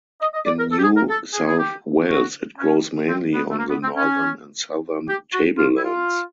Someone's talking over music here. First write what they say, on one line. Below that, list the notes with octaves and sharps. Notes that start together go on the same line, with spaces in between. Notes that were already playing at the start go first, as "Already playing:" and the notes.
In New South Wales it grows mainly on the northern and southern tablelands.
D#5
D#5
D5
A#4
A4
G4
G#4
A#4
A4
G#4
G#4
G4
F#4
C#4
C4
B3
A3
A#3
B3
C4
C#4
G4
F#4
F4
E4
F4